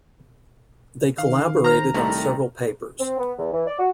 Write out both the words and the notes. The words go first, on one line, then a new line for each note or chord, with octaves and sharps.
They collaborated on several papers.
D#3 F5
C5 A#5 F6
C2 C3 D#3 G3 A3
C4
B3
E2
E3
D5
F#4